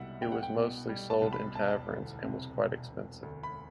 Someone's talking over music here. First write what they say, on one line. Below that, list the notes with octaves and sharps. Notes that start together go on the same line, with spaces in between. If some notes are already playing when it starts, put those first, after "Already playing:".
It was mostly sold in taverns and was quite expensive.
Already playing: C2 B2 G3 E5 F#5
B3 G5
F#5
G5
B2
G3
A5
C2
B5
E1 A5
D2
C3
E1
E1
D2
B5